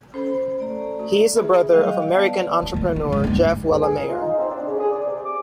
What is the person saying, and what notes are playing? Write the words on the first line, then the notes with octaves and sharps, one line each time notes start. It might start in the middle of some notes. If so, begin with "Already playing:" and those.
He is the brother of American entrepreneur Jeff Wellemeyer.
C#4 A4 C5 B5
A3 D5 A#5
F#4
F4 G#4 B4 E5 B5
F#3 G3 A3 D#5 F5 G5
B3 D5 A5
D#3
D#2 G3
D#3
G#2
D2 G2
E2
G#4
A#4
F4
D#4
C4
D4
C#3
G#4
D5
C3
D6